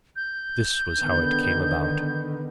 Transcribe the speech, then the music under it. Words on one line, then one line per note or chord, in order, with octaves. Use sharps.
This was how it came about.
G6
D3 D#3 B3